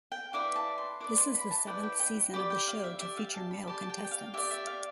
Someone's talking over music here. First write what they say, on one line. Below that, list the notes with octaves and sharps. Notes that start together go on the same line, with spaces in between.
This is the seventh season of the show to feature male contestants.
G5
E4 B4 D5 F5
A5
C6
E4 B4 D5 D6
C6
B5
A5
E4 B4 D5 G5
G5
G5
G4 D5 B5
G5
F5
E5
G4 D5 E5
F5
A5
B5
G4 D5 A5
A5
G5
G5
F5
G4 D5 E5
E5
F5